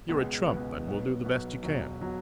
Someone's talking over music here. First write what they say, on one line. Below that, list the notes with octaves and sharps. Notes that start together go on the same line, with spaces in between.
You're a trump; and will do the best you can.
C#2 B2 G#3 B3
C#2 B2 G#3 B3
B1 B2 B3
B1 B2 B3
E1 E2 B2 F#3
B2 F#3